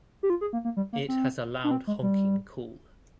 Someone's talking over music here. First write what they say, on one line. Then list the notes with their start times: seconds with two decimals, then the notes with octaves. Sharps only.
It has a loud honking call.
0.23 G4
0.30 F4
0.41 G#4
0.53 A#3
0.65 A#3
0.77 G3
0.93 A#3
1.08 C4
1.64 D4
1.71 C4
1.87 G#3
2.03 G3